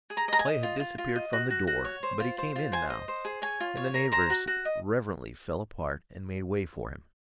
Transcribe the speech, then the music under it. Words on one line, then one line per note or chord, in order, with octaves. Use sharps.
Clay had disappeared from the door; but he came in, now, and the neighbors reverently fell apart and made way for him.
G#4
A#5
D#5 A#5
G#5
D#5
F4
F4
F4
D#5
F#4
F#4
F#4
C#5
C5
F4
C5
F4
C5 G#5
D#5
C5
G#4
C#5 G#5
F4
C#5
A#4
C5 A#5
F#4
F#4
D#5